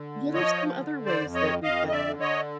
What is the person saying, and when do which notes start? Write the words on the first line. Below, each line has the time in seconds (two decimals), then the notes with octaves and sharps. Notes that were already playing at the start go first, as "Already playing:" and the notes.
What are some other ways that we can
Already playing: D3
0.33 F3 C#5 D#5
0.77 D3
1.05 C5 D5
1.21 F2
1.34 C#5 D#5
1.63 F2 D#5 F5
1.88 D#5
1.92 D5 E5
2.07 D3
2.20 C#5 D#5